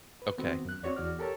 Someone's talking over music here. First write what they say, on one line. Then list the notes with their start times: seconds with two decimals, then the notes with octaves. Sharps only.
Okay, yeah.
0.22 B4
0.38 D#3 B3 C4 F#4
0.65 F#2 F#6
0.83 C4 F#4 C#5 D5
0.97 E2 F#4 D5 F6
1.19 G4 A4 A#4 C#5 A5